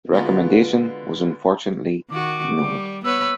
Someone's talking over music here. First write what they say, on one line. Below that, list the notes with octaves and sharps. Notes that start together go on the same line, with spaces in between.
The recommendation was unfortunately ignored.
D3 G#3 B3 F4 F#4 B4
D#3 F#4 D6
G3
B3 B4 C#5 E6